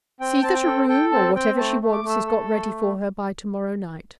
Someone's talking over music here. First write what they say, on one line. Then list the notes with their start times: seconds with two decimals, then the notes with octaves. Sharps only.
See that a room, or whatever she wants, is got ready for her by to-morrow night.
0.20 C4 G5
0.43 C4 A5
0.55 G5
0.66 A4
0.89 A4 G5
1.12 C4 A5
1.35 C4 G5
1.58 A3 A5
1.82 A3
1.93 D6
2.04 A3
2.09 E6
2.27 A4
2.51 A3